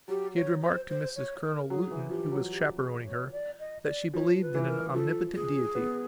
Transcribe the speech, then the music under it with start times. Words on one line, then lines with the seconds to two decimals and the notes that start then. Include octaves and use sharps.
She had remarked to Mrs Colonel Luton, who was chaperoning her, that she believed in an Omnipotent Deity.
0.08 F#3 G4
0.36 C#5
0.62 C5
0.89 C5
1.16 C#5
1.43 A#4
1.70 F#3 G#4
1.91 E3
2.10 F3 G4
2.32 F#3
2.51 G4
2.78 G#4
3.05 C#5
3.32 D5
3.59 D#5
3.86 D5
4.14 F3 C#5
4.41 B4
4.54 E3
4.67 A#4
4.94 F3 A4
5.34 G#4
5.75 B3